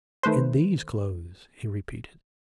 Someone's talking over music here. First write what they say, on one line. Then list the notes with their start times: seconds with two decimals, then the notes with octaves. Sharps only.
In these clothes,' he repeated.
0.23 D#3 A3 B4 C5